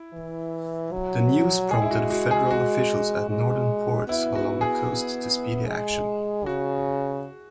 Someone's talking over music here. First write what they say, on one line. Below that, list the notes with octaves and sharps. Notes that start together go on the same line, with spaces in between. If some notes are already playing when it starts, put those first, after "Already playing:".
The news prompted Federal officials at northern ports along the coast to speedy action.
Already playing: E4
E3
F#3
G#3 G#4
E4
F#4
F#4
G#4
F#4
G#3
B3 E4
F#4
G#4
G#3
C#3 F#4